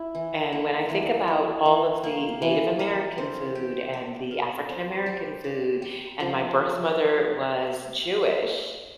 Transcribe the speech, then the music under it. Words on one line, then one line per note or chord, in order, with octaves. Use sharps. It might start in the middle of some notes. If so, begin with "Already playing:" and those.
and when I think about all of the Native American food and the African American food, and my birth mother was Jewish,
Already playing: E4
E3
A#3
E3
E4
E3
A#3
E3
A#4
C4
G4
D5
A#4
C4
G4
D5
G4
F3